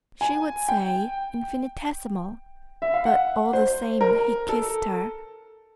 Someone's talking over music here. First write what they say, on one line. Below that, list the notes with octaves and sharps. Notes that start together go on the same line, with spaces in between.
"She would say 'infinitesimal.' But all the same he kissed her."
G#5
G5
E5
F5
F#5
C5
A#4
A4